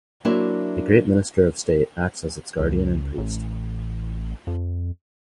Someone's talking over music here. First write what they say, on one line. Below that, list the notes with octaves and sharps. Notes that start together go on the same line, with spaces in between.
A great minister of state acts as its guardian and priest.
F#3 A#3 D4 E4 C5 E5
C#2
A1
F2